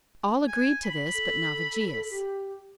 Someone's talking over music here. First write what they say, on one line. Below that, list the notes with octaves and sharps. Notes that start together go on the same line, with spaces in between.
All agreed to this but Navigius.
G#5
B5
A4
G4